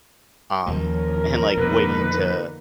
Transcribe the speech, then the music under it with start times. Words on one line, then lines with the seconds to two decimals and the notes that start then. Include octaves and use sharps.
um, and like, waiting to
0.67 D#2 F3 G3 C#4 A#4
1.57 F2 B2 D3 F3 A#3 D#4 B4